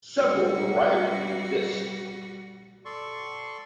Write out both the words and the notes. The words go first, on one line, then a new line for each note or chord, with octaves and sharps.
Several varieties exist.
G3 F#4
A4 D5 C6 C#6